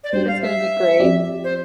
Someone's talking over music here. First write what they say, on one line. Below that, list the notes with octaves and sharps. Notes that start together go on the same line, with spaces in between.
it's gonna be great.
D5
G3 D4 G4 C5
F5
E5
F3 C4 G4 D5
C5